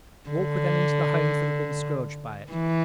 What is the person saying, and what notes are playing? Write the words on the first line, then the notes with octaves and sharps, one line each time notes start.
Walk with them into the homes that have been scourged by it.
D3
E3